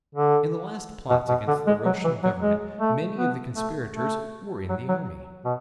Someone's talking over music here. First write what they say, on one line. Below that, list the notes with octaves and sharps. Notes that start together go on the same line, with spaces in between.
In the last plots against the Russian Government many of the conspirators were in the army.
D3
B2
B2
D3
G#3
F#3
E3
F#3
G#3
A3
B3
A3
A3
F#3
F#3
B2